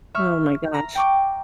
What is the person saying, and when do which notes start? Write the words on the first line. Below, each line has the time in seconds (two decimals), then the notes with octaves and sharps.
Oh my gosh.
0.15 E5 C#6 F6
0.74 A#5
0.95 G5 C#6 D6